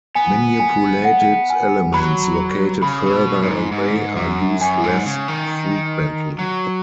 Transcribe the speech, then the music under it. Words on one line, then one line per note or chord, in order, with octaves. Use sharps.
Manipulated elements located further away are used less frequently.
B3 G#5
G#5
F#5
G#5
F#3 B5
C#3 B5
C#3
B2
G#2
G#2
F#2
F#2 G#5
G#2
C#3
D#3
F#3